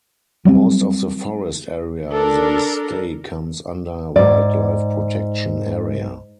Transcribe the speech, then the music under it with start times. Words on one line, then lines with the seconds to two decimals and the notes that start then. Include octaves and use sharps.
Most of the forest area they stay comes under wild life protection area.
0.45 F#3 G3 B3 C4
2.13 D4 A4 A#4
4.16 G#2 D5